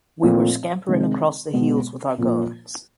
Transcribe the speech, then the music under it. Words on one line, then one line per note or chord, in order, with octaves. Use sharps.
We were scampering across the hills with our guns.
A#2 F3 A3 C4 F4
C3 D#3 G#3
B2 G#3 B3
A#2 F3 A#3